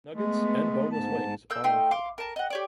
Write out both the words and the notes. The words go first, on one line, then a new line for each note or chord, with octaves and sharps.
Nuggets and boneless wings are offered.
G#3 A3 B3
G#2 A5
A#3 E6 G6
A3 D#4 G5 C6
F5 C6 D6
A#4 A5
D#5 F#5
G4 C#5 D5